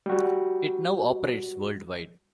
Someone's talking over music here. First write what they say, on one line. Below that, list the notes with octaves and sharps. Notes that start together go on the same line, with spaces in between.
It now operates worldwide.
G3 F#4